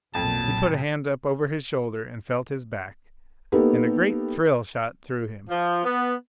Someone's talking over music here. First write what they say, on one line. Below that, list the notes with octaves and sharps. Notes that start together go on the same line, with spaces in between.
He put a hand up over his shoulder and felt his back, and a great thrill shot through him.
B1 F2 A#2 F#3 A5
A#3 B3 D#4 G4 A4
F3
B3